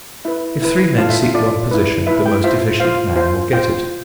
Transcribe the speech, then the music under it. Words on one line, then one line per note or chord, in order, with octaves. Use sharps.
If three men seek one position, the most efficient man will get it.
E4 B4 E5
E4 B4
D4 F4 A4 F5
E5
E5
D4 F4 A4 D5
E4 B4
E4 B4 E5
G5
F4 C5 E5
F4 C5 F5
F4 C5
F4 C5 G5